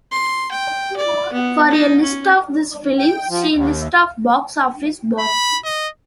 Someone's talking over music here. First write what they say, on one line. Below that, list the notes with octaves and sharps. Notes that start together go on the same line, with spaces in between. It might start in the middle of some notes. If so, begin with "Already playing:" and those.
For a list of these films, see List of box office bombs.
C6
G5
D5
B3
D#4
C#4
G5
F3
D#2
B5
D#5